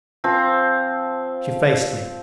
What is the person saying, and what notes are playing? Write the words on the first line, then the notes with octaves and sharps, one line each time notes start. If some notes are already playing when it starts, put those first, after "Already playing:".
She faced me.
F3 C4